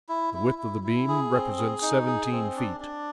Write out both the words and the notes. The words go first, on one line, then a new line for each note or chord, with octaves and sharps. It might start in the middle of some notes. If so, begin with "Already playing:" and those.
The width of the beam represents seventeen feet.
E4
E4
E4
E4
G#4
C4
G#4
D#4
G#4
C4
D4
D4